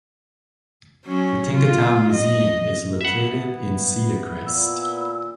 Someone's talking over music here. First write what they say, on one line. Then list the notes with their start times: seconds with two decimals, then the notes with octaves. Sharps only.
The Tinkertown Museum is located in Cedar Crest.
1.05 F#3 C#4
1.55 F4
2.13 D#5
3.01 B3 E4 B4 E5 F#5
4.46 A#2 E6